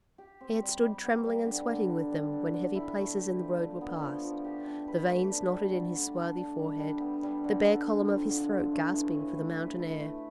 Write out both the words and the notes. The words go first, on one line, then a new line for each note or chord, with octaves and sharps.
He had stood trembling and sweating with them when heavy places in the road were past, the veins knotted in his swarthy forehead, the bare column of his throat gasping for the mountain air.
G4
C4
G3
G3
B3
G3
D3
D3
D4
G3
D3
D3
E4
A3
G4
F3
D4
B3
F3
F3
G4
D4
B4
A3
D4
G3
D3
D3
A4
D4
G3
G3
B3
G3
D3
D3
C4
F3
D3
D3
A3
E3
A2
A2
B4
E4
A3